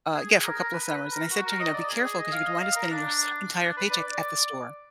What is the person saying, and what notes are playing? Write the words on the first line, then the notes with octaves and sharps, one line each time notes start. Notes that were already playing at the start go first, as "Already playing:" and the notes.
uh, yeah, for a couple of summers. And I said to her, you know, "Be careful ‘cause you could wind up spending your sa entire paycheck at the store,"
G#4
G#4
A#4
A#4
B4
B4
A#4
F#4
A#4
D#5
D5
G#4
G#4
D#5
F5
D#5
F5
A#4
D4
D4
B4
D5
D5